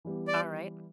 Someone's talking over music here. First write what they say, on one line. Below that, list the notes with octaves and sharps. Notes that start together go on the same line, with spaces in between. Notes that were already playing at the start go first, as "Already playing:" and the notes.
All right.
E3 G3 B3
D5